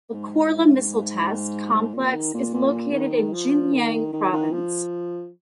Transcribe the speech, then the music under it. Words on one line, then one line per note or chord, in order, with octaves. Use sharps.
The Korla Missile Test Complex is located in Xinjiang province.
G#2
G#2
A#2
D#3
A#2
A#2
D#3
F3
D#3
D#3
D#3
F3